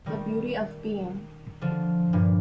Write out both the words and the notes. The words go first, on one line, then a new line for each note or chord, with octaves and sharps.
The beauty of being.
D#3 G3
D3 F3
G2 A#2